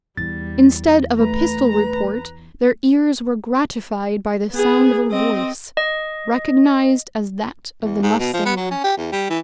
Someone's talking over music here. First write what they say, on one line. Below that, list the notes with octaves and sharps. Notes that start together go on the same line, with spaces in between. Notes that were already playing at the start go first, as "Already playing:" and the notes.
Instead of a pistol report their ears were gratified by the sound of a voice, recognised as that of the mustanger.
E2 G3 A6
A3 B4 A#5
B3 G#4
C4 D#5
D#5
E2
G#2
B2
F3
B3
F#3
C#4
G4
E2
G3
E3